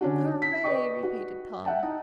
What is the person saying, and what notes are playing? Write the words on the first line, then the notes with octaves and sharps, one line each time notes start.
"Hooray!" repeated Tom.
D3 C#4 D4 F#4
B6
B4 D5 D#5 G5 C#6
F#4
E5 F#5 G5 A5
D#4 D#5